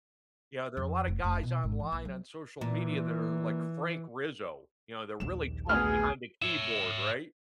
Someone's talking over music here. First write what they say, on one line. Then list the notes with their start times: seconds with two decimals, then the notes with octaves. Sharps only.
You know, there are a lot of guys online on social media that are like Frank Rizzo, you know, they're really tough behind the keyboard, right?
0.77 F2
1.08 F1
1.24 F1
1.43 B2
1.63 G#1
1.80 E3
1.92 A#1
2.05 F#3
2.61 A#2 E3
5.20 A#1 D#2 E7
5.69 D2 B3 G#4 F6
6.42 C#5 E5